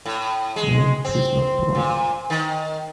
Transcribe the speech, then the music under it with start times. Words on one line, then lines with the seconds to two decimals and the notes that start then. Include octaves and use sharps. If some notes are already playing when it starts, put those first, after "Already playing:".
No, 'tis not blood.
0.06 A2
0.56 G#3
1.05 C4
1.75 A#2
2.30 D#3